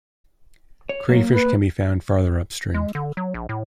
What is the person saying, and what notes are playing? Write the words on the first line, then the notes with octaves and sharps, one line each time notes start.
Crayfish can be found farther upstream.
C#5
F#3 A#3
B4
G#3
D3
F#3
A#1
A2